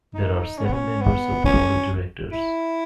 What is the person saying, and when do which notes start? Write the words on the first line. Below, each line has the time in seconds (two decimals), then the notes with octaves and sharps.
There are seven members of the board of directors.
0.14 D#4
0.58 C#4
0.65 B3
0.73 C#4
1.01 B3
1.45 C#4
2.32 E4